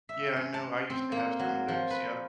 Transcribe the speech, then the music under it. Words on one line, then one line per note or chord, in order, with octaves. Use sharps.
Yeah, I know, I used to have some of those, yup.
E5
C#4
A5
C4
A#3
F#3
F3
B4